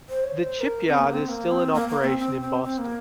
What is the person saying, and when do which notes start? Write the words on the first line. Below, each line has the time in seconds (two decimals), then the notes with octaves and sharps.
The Chipyard is still in operation in Boston.
0.09 C5
0.24 C#5
0.39 C5
0.60 A#4
0.88 C4
0.98 A#3
1.14 C4
1.29 A#3
1.51 C4
1.74 A#3
1.88 A#3
2.04 C4
2.18 C4
2.41 C4
2.63 C4
2.78 A#3